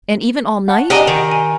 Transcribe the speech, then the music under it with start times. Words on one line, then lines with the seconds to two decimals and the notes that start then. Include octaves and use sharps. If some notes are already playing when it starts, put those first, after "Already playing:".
"And even all night?"
0.68 F#5 A5
0.90 D4 G4 D#5 F#5 G#5 A#5
1.07 D#3
1.32 G#5